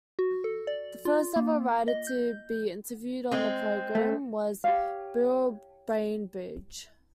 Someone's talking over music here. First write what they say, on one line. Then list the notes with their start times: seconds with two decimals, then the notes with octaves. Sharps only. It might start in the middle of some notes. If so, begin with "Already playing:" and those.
The first ever writer to be interviewed on the programme was Beryl Bainbridge.
0.19 F#4
0.44 A4
0.67 D5
1.05 F4
1.36 A#3
1.88 D#5
2.07 G6
3.31 G#3 C4
3.95 A3
4.64 G4 C#5 F5